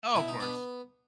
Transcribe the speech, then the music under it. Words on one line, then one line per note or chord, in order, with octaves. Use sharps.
Oh, of course.
B2 E4
D#4
B3 D4